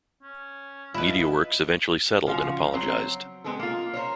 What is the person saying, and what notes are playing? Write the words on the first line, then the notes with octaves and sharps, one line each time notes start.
Mediaworks eventually settled and apologised.
C#4
E4 F4 B4 D#5
C#3 F3 F#4 F5
F#3 C4 C#5
G#3 B3 C4 G#4 A4
A#3 F4
A#4 C5 C#5